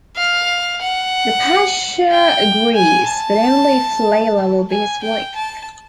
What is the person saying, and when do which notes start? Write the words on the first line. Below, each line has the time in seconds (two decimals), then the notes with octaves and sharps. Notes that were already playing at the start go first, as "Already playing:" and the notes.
The pasha agrees, but only if Leila will be his wife.
0.17 F5
0.82 F#5
2.10 G5
2.75 G#5
3.08 A5
4.71 G#5
5.03 G5
5.36 A5